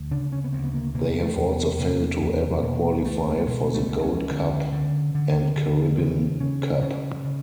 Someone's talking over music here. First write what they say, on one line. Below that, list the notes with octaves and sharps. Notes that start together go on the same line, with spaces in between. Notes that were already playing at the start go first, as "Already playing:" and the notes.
They have also failed to ever qualify for the Gold Cup and Caribbean Cup.
Already playing: D2
C#3 D4
C#4
B3
D2 C4
B3
A#3
C3 A#3
A3
E2
B3
C3 A#3
E2
B2 A#3
C#2 A3
A3
B2 G#3
A3
C#2
C4
C#4
D3
D3
D3
D3
C#3 C4
C#3 C#4
C#3 C#4
C#3